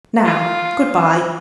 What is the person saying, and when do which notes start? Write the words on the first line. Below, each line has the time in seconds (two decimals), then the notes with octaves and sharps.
Now good-bye.
0.24 F4